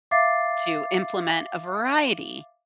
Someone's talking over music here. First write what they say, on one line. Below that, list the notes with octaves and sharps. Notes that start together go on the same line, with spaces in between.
to implement a variety
E5 F5 D6 A6 C7